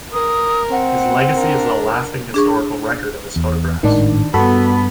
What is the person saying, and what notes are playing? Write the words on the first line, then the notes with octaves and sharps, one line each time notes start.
His legacy is the lasting historical record of his photographs.
A#4 D#6
C4 F#5
D4 A#4
D4 G#4 C#6
E2
G#1 A2 D#3 G#3 D4
G2 B3 F#4 A4 B5